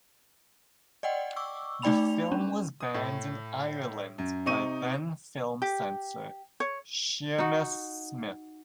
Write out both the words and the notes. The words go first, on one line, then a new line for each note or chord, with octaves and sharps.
The film was banned in Ireland by then film censor Sheamus Smith.
D5 D#5 F#5 G5
C#6 D6 E6
A3 D#4 D5 G5 B5 F7
C#4 D4
D#6
A2
F#2
C3 D#4 C#6 D#7
G4
C#5
D#4 F#4